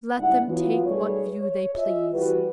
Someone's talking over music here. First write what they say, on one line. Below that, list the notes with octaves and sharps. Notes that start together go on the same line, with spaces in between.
Let them take what view they please.
F#1 G#2 G3 D4 E4 F#5
E3 F#3 B3 F4
B1 G3 A3 G#4 B4 C#5
C#5
F4 G#4 C5 D#5 E5
E3 G3 F#4 B4